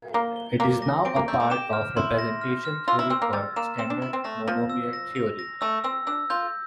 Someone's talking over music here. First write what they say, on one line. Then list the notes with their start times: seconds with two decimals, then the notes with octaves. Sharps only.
It is now a part of representation theory called "standard monomial theory".
0.13 A#3 G7
0.36 G7
0.60 A#3 D6
0.82 A#6
1.05 C4 D7
1.16 A#3
1.28 A3 G6
1.40 A3
1.50 G4 E7
1.73 F6
1.97 E4 C6
2.19 A#6
2.41 F6
2.65 F6
2.88 F4 E6
2.99 E4
3.10 C4 E6
3.22 A#3
3.33 G3 A6
3.56 A#3 E7
3.78 C4 E7
3.90 D4
4.02 E4 E7
4.13 C4
4.24 A3 A#6
4.48 F3 A#6
4.70 E6
4.93 A#6
5.16 F7
5.39 A#6
5.61 A3 E6
5.84 C4 E6
6.07 D4 E6
6.30 F4 G6